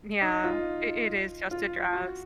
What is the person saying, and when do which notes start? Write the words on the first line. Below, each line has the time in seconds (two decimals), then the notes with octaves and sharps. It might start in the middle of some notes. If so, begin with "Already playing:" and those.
Yeah. I it is just a dress.
0.22 D#4
0.44 F4
1.51 F4
1.93 F#4